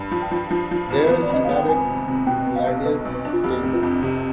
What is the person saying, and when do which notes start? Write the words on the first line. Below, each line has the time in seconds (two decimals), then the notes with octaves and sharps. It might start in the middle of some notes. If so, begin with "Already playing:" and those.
There he married Gladys Tayler.
Already playing: G2
0.11 F3
0.22 G5
0.31 F3
0.50 F3
0.71 F3
0.90 G#1
1.10 B3
1.22 D5
1.29 F2 D#5
1.45 B3 F5
1.56 G5
1.68 F2 G#5
1.88 C3
2.08 C3
2.26 B2 G5
2.46 B3
2.56 F5
2.66 B1
2.85 B1 B4
3.05 B1
3.14 B4
3.25 D4
3.33 F4
3.44 F1 G4
3.63 C3
3.74 F4
3.83 F2
4.03 C3 G4